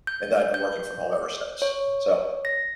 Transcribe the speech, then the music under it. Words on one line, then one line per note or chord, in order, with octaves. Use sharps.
And then I've been working from home ever since, so,
G6
G6
C#5
A#6